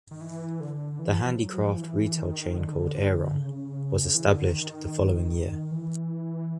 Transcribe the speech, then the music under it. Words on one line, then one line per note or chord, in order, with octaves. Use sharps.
The handicraft retail chain called Aarong, was established the following year.
D#3
E3
D3
E3
F3
F#3
F#3
F3
E3
D#3
D3
D#3
D3
C#3
E3
D#3
D3
D#3
E3